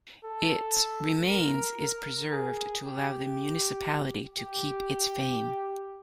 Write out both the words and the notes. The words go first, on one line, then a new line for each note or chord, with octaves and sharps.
Its remains is preserved to allow the municipality to keep its fame.
A4
A#4
A#4
G#4
G4
G4